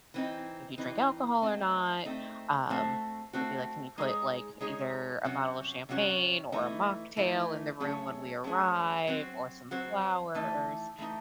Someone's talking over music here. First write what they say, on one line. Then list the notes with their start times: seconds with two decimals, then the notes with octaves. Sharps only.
if you drink alcohol or not. Um, it'd be like, "Can you put like either a bottle of champagne or a mocktail in the room when we arrive or some flowers?"
0.14 E3 C4 D#4
0.78 E3 C4 D#4
1.42 A3 C4 D#4
2.05 A3 C4 D#4
2.70 A3 C4 F#4 C5
3.33 A3 C4 F#4 C5
3.98 G#3 D#4 G#4 C#5
4.61 G#3 D#4 G#4 C#5
5.24 C3 F#3 C#4 F#4 C#5
5.89 C3 F#3 C#4 F#4 C#5
6.52 E3 A3 D#4
7.17 E3 A3 D#4
7.80 F#3 A3 C#4 G#4 C#5
8.44 F#3 A3 C#4 G#4 C#5
9.07 F#3 C4 F#4 C5
9.71 F#3 C4 F#4 C5
10.35 E3 A3 D#4
10.98 E3 A3 D#4